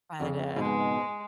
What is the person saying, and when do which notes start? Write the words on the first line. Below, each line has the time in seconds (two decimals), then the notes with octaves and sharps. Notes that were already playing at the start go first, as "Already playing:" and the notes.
but, uh
0.20 F2 C#3
0.56 G#2 B2 G#3